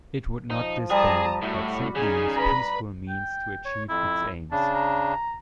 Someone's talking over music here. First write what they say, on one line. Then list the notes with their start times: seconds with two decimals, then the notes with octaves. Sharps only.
It would not disband, but simply use peaceful means to achieve its aims.
0.51 F3 D#4
0.90 G3 G#4 A5 A#5 D#6
1.42 A2 E4 F#4
1.96 C#3 D#4 G#4 G#5
2.36 B4 A#5 B5
3.09 G5
3.65 C#5
3.89 F2 E4
4.51 C#3 D4 A5
4.74 A#5